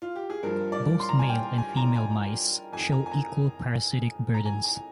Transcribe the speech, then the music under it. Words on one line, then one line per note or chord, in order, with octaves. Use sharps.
Both male and female mice show equal parasitic burdens.
F4
G4
G#4
G2 F3 A#4
D5
C6
A#5
G#5
G5
G#5
A#5
G#5
F2 D#3 G#5
A#5
G#5
A#5
A#5
G#5
G#5